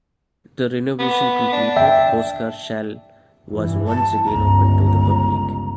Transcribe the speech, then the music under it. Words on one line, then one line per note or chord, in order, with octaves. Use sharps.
The renovation completed, Oscarshall was once again open to the public.
B3
D4
E5 G5
F1 G2 E3
A5
G1 C#2 A#5